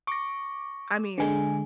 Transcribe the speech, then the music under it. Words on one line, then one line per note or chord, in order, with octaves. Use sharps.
I mean,
C#6 D6 A#6
D3 G#3 G#4 G#5